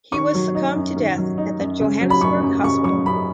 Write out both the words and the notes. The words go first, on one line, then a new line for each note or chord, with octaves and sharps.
He was succumb to death at the Johannesburg hospital.
D#3 C#6
F#3
D#4
F#2
D#3
F#3
D#4
F#2
C#3
F#3
B5
F#2 C#6
F#2
C#3 C#6
F#3 C#6
F#2 B5